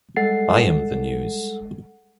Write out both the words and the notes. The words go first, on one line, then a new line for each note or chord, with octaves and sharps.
I am the news.
G3 G#3 A4 F#5 A6 C7